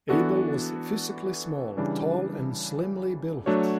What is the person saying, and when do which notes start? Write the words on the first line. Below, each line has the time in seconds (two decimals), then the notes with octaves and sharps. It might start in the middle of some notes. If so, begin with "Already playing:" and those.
Abel was physically small, tall and slimly built.
0.09 E3 B3 D4 F#4 A4
1.77 C#3 E3 G3 D4
3.46 F#3 A3 D4 F#4 C#5